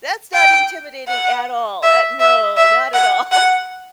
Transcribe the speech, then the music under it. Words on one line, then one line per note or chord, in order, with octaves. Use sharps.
That's not intimidating at all. At no. Not at all.
G5
F#5
E5
E5
E5
F#5
F#5